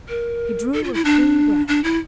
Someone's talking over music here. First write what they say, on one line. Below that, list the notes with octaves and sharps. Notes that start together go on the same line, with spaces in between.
He drew a free breath.
A#4
A4
F4
E4
D4
D4
E4